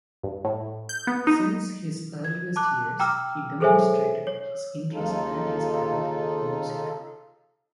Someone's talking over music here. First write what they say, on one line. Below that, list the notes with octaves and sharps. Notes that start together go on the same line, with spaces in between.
Since his earliest years, he demonstrated his interest and his talent in music.
G2
A2
G6
B3
D#4
G#6
A5 D6 F#6
G5 A#5 D6 E6 F6
G#4 A4 C5 C#5 E5 G#5
C#5
D#2 C#3 D#4 F4 A4